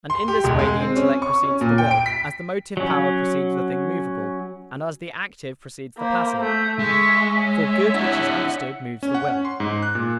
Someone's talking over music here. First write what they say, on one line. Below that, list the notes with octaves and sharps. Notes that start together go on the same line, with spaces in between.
And in this way the intellect precedes the will, as the motive power precedes the thing movable, and as the active precedes the passive; for good which is understood moves the will.
C6
G4
E1
G#3
C4
C#4
C#6
C#4
A#2
G5
D7
B6
F#3 C#4
A#3 C5 B5
A3 G6
G#3 E5 C#6 B6
C#5 E5
D4 E4 F#5
C#4
F#5
C#4
C6
G#2
F#6
A#2